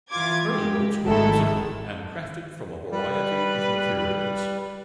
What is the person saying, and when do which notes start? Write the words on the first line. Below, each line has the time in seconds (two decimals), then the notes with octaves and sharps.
Early boats were whimsical and crafted from a variety of materials.
0.11 E3 F4 D6 G#6
0.45 G#3 G4
1.03 G#1 D#3 G#3 A3 E4 A4
2.91 G3 B4